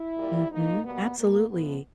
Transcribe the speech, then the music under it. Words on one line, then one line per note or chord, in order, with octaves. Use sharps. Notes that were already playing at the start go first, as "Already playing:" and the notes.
Mhm. Absolutely,
Already playing: E4
A#2 G3 A#3
G#2 F3 A#3 D#4
B2 G3 A#3 B3
B2 G#3 A#3
A2 F3 A3 B3